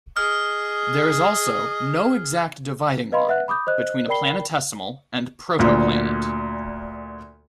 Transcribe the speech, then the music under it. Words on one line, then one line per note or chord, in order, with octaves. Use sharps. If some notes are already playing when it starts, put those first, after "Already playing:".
There is also no exact dividing line between a planetesimal and protoplanet.
G#4 D#5 F6
B4 D#5 F5 B5 C6
B4 E5 F#5 F#6
B5 D6 D#6 G6
C5 D#5 F#6
A#4 D5 G5 B5 C7 G7
D2 A#2